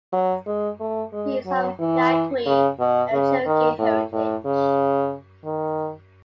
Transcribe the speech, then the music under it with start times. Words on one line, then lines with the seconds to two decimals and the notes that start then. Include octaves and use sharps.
He is of Yaqui and Cherokee heritage.
0.13 F#3
0.46 G#3
0.80 A3
1.12 G#3
1.46 F#3
1.79 E3
2.46 C#3
2.79 B2
3.12 C#3
3.46 D#3
3.78 A2
4.12 A2
4.45 C#3
5.45 D#3